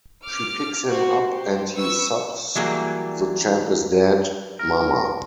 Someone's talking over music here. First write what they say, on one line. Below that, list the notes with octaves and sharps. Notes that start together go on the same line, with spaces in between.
She picks him up and he sobs, The Champ is dead, mama.
D6 F6
F#4 C5
G4 C5
B4 C#6 E6
E3 F#3 G3 A#3 G#4
A#4